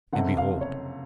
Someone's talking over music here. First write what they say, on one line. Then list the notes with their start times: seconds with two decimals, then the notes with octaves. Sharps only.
And behold!
0.13 F#1 F2 C3 F#5
0.37 F5
0.61 C#5